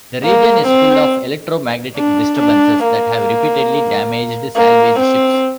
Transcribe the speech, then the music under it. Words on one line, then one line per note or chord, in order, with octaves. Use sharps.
The region is full of electro-magnetic disturbances that have repeatedly damaged salvage ships.
A#3
C4
D4
D4
A#3
A#3
C4